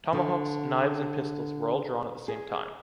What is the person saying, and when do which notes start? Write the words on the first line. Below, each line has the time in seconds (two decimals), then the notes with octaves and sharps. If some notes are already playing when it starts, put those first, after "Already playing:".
Tomahawks, knives and pistols were all drawn at the same time.
0.13 D3
2.28 G#4